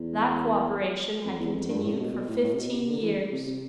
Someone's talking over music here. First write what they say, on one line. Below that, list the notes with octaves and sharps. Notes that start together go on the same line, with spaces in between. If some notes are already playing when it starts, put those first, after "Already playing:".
That co-operation had continued for fifteen years.
Already playing: E2
F2
E2
F2
G2
A2
C3
B2
B2
A2
A2
C3
B2
C3
D3
E3
C3
C3